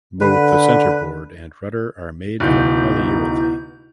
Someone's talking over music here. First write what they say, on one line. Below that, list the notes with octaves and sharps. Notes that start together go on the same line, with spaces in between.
Both the centerboard and rudder are made from polyurethane.
D3 B4
D1 C3 B3 D#4 E4 G6